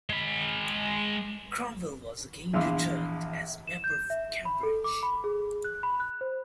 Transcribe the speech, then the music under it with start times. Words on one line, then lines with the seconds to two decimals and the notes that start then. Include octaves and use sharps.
Cromwell was again returned as member for Cambridge.
0.10 G#3 B5
2.53 A#1 E2 F5 C6 D6 E6
3.67 E7
3.84 G6
4.10 E5
4.45 B5
4.63 A4
4.84 D6
5.03 B5
5.24 G#4
5.64 F#6
5.83 B5
6.00 F#6
6.21 C5